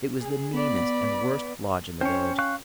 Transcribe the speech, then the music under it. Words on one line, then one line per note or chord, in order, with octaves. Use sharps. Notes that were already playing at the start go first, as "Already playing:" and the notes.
It was the meanest and worst lodge in the village.
G#4
B3 D5 B5
C#4 C5 C#5 G5
F5 C#6 F#6